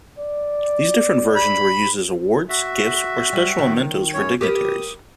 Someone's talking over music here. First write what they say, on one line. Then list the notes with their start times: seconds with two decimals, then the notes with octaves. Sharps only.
These different versions were used as awards, gifts, or special mementos for dignitaries.
0.19 D5
1.37 B5
2.49 F#4 E5
3.33 G3
3.58 D#3
4.14 F#2 C#5
4.41 G4 A#4 B4 D#6